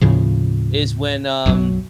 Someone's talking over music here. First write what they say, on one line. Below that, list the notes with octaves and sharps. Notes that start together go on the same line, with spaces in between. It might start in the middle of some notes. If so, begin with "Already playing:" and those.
is when, um
D#2 A2 C#3 F3
B1 F#2 D#3 F#3